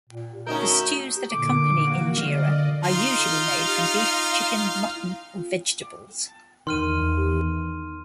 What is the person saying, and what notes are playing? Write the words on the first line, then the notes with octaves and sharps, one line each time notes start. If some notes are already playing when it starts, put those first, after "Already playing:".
The stews that accompany injera are usually made from beef, chicken, mutton or vegetables.
A#2
A3 C#4 D#4 F#4 A#4 E6 G6
A#2 D3 D6
A#3 F#4
D3 D5 D#5 F5
D#4 F4 F5
E2 D#3 C6 F6 D#7